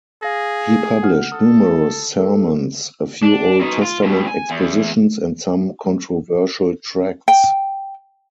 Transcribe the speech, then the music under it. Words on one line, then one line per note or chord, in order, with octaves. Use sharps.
He published numerous sermons, a few Old Testament expositions and some controversial tracts.
G#4 F5 A#6
F#5 F6
A4 D#6
A4
D4
B2 D#4
F4
G2 B2
G#5
E2
G5